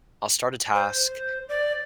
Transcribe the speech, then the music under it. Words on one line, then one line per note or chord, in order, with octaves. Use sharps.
I'll start a task,
C5
D5